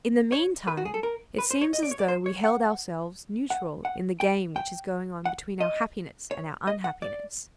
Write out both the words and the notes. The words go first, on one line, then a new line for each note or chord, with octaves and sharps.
In the meantime, it seems as though we held ourselves neutral in the game which is going on between our happiness and our unhappiness.
C#5
B4
F#4
G#4
A4
A#4
B4
C5
C#5
D#5
D5
C#5
D5
C5
C#5
F#5
F#5
F#5
G5
G5
F#5
D#5
C#5
D#5
F#5
D5